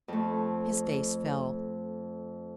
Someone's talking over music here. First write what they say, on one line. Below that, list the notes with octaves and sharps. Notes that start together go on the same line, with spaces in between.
His face fell.
F2 A3